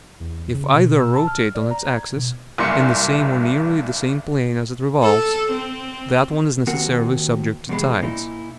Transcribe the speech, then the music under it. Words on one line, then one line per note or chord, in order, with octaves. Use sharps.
If either rotate on its axis, in the same or nearly the same plane as it revolves, that one is necessarily subject to tides.
E2
C#3
B2
E6
A5
F6
D5
A#5
G#6
B2
F#1 C2 G2 C6 C#7
A4
C4
D#2 C4 F#4 A#4 F#5
E2 G2 B2 G#3 B5
A#2 D#4 E4